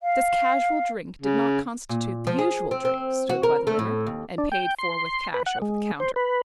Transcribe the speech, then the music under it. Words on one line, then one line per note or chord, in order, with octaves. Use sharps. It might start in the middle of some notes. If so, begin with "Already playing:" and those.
This casual drink did not constitute the usual drink stood by the winner, and paid for with cash over the counter.
F5
C#3
A#2
F3
G#4
C4
C4
F#4
A#4
A3
A2
D#2
D4
G5
C6
B4
F#5
G#3
C5
B4